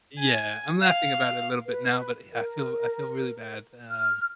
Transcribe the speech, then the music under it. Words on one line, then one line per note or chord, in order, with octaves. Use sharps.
Yeah, I'm laughing about it a little bit now, but y I feel I feel really bad, um,
G#5
F5
B4
A#4
F6